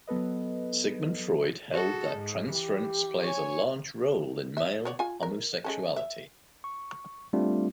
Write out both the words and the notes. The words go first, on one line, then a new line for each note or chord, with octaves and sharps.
Sigmund Freud held that transference plays a large role in male homosexuality.
F#3 B3 A4 B4 D#5
F#4 G#4 A4
G#2
E3 G4
C#5 G#5
E5
B3 C#5 D5
F4 G#5
A#4
G#3 C#4 A4
E5
C#6
G3 A3 C4 D4 F4